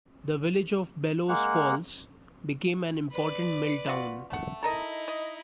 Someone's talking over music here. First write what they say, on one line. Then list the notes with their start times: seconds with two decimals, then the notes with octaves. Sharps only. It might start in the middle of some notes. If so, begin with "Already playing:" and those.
The village of Bellows Falls became an important mill town.
1.29 G#3 A#3 F#5
3.12 B4 D5
3.87 F4 F#4
4.30 A3 F#5
4.63 D#4 E4 A4 A#4 D#5
5.08 D#5